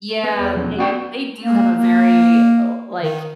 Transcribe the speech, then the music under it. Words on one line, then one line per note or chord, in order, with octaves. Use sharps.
Yeah, they they do have a very, li like,
B3
E2
B1 F2 F#3
B3 F#4 D5 G5
A#3
A#3
D#3